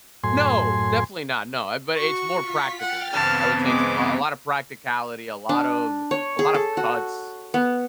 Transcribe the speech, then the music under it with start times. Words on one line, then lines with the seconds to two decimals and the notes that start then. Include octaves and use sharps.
No, definitely not, no, uh, but it's more practical though. I would say it's lo lotta practicality, a lot of a lot of cuts
0.24 F#2 A2 G#5 C6
1.97 F#4 C#6
2.38 F4 B6
2.80 F#5 G5 F6 A6
3.13 G2 C#3 E3 B3 C4 A5 F6
3.65 G#3 D6
5.49 D4
6.11 C#5
6.39 G#4
6.54 A4
6.77 F#4
7.54 B3